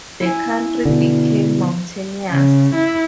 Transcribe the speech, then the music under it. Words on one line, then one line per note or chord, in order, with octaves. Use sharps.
The country became mountainous.
E4 G#5
B2 D3
C#3
E4